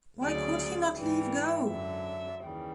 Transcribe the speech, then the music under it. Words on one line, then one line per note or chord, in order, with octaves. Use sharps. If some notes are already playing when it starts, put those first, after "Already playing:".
Why could he not leave go?
D2 C#3 F#3 D5
G#2 E3 G3
F#2 D3 F#3 E5
D#2 C#3 E3 G3